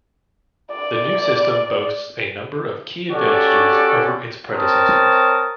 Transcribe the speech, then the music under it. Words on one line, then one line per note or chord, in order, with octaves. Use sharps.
The new system boasts a number of key advantages over its predecessors.
D5
C#4 F#4 G4 A4 D5
C4 A#4 C#5 A5 D#6